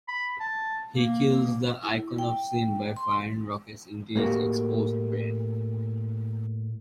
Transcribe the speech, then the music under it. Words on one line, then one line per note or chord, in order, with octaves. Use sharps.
He kills the Icon of Sin by firing rockets into its exposed brain.
B5
A5
A#3
E4
G5
C6
A2 A#3 F#4 G4